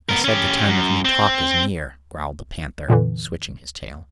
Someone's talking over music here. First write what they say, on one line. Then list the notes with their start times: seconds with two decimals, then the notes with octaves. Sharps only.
"I said the Time of New Talk is near," growled the panther, switching his tail.
0.09 B3 A#4
0.24 C#4 G4
0.68 F#2
1.05 C4
2.88 F2 A#2 D3 E3